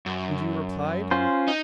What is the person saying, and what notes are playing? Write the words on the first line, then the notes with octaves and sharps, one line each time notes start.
"And you replied?"
F#2
C#4 F4 C5
D#4